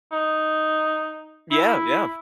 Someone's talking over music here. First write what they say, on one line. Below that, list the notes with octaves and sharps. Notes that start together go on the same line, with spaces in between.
Yeah, yeah.
D#4
E4